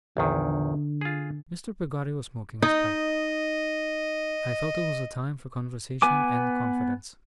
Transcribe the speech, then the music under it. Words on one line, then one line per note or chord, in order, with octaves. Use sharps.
Mr. Peggotty was smoking his pipe. I felt it was a time for conversation and confidence.
A#1 E2 D3 D#3
F4 G#4
D#4 D#5
B3 B4 G#5 D6